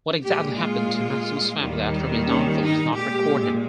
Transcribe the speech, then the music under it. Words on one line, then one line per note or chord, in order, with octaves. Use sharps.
What exactly happened to Maximus' family after his downfall is not recorded.
A#2 G#3 G4
F4
D#2 D#3 G3
C#4
D#4
A#2 G#3 G4